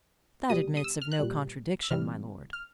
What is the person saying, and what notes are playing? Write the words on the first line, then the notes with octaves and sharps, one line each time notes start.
"That admits of no contradiction, my lord."
B2 G3 D#6
D#6
E6
F6
F#6
A#2 G3
E6
C3 E3 G3 F6
F6